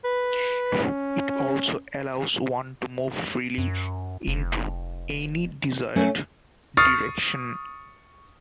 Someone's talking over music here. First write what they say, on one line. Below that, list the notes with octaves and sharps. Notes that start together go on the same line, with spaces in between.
It also allows one to move freely into any desired direction.
B4
C#4
F#2
F1
F#3 A3 C#4
C#6 D#6 F6 A6 C7